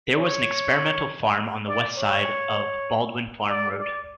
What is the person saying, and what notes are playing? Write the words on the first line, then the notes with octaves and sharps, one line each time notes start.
There was an experimental farm on the west side of Baldwin Farm Road.
C#5
D5
C#5
D5
D5